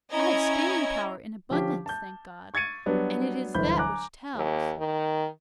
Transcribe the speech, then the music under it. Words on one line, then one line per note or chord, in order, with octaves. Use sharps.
I have staying power in abundance, thank God! and it is that which tells....
C#4 E4 D#5 A#5 G#6
D3 F3 C#4 G4
A5 G6
C#6 G#6 A6 C#7 D#7
F#3 G3 B3 D4 F#4
D1 G1 E3 C5 B5 G6
G#5 A#5 D6 F#6
D#2
D#3